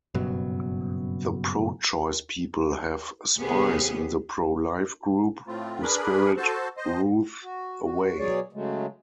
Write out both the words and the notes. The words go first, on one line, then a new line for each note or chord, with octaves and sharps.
The pro-choice people have "spies" in the pro-life group who spirit Ruth away.
F#1 G2 B2 F#3
D#2 C3 B3 G4 G#4
A2 A3 C4 F4
D4 G#4 A#4 B4 B5
F#4 A4 C5 A5
C5 D#5
F#4
F#4
B2 F#3 G#4 C#5 D5
C#3 F#3 G#3 A3